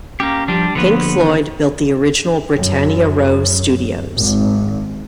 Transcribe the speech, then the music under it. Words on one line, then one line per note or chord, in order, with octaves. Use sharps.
Pink Floyd built the original Britannia Row Studios.
A#3 C#4 G4
F3 G3 D4 G4
D3 F3 A#3 B3 B4
F#2
G#1